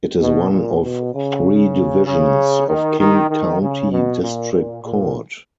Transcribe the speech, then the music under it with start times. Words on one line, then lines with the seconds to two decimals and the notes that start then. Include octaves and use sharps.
It is one of three divisions of King County District Court.
0.21 B2
0.52 A#2
0.83 B2
1.14 C#3
2.07 C#3
2.68 D#3
2.99 D#3
3.30 D#3
3.61 C#3
3.92 B2
4.23 A#2
4.53 A#2
4.83 A#2